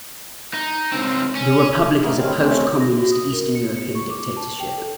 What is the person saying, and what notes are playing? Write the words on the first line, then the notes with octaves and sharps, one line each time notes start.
The republic is a post-communist Eastern European dictatorship.
D#4
C#2 C4
C#4
A3 B3 E4 A#4 D#5
C3 D#3 C4 C#4 E4 F5
C3 D#3 A3 C4 C#4
A#6
F#4
D#6
A#4
C#7
C#7
C#6
D6
A5
G5
A4